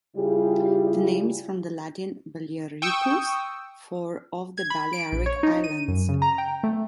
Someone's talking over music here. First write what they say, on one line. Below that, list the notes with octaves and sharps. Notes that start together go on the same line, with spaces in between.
The name is from the Latin "Baliaricus" for "of the Balearic Islands".
C#3 G3 E4 F4 G4 G#4
G5 C#6 D#6 E6
G#6
B5
D7
A#1
C#5
D#4
D#7
F#2
C#3
A#5
G5
A3